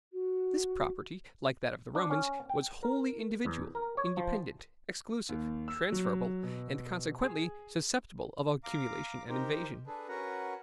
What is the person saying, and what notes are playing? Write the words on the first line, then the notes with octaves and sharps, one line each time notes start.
This property, like that of the Romans, was wholly individual, independent, exclusive, transferable, and consequently susceptible of accumulation and invasion.
F#4
D4
C#4
G5
A#4
E2
A#4
C#5
F3
D#2
E6
F#3
B2
G#4
F5 A#5 D6
D#4 G4 A#4 C5
D4 G#4 A4 B4
C#4 F#4 A#4 B4 F#5 A#5